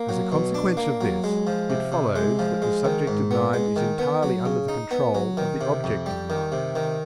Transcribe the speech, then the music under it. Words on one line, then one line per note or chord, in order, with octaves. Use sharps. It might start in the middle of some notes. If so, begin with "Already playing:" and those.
As a consequence of this it follows that the subjective mind is entirely under the control of the objective mind.
Already playing: A#3
F#3
B2
D4
A#3
F#3
G#3
F3
C3
C3
G#3
F3
G#3
D#3
G#2
B3
G#3
D#3
B3
F#3
C#3
D#4
B3
F#3
D#3
C3
F2
G3
D#3
C3
D#3